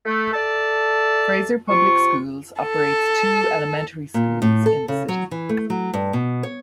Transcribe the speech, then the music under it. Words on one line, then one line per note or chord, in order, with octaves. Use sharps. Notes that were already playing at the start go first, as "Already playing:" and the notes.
Fraser Public Schools operates two elementary schools in the city.
A3
A4 D5 E5 A5
C3 F4 C#6
A4
A#2
A2
A4
C#3
F#3
E3
A3
F#3
G2
B2
C#5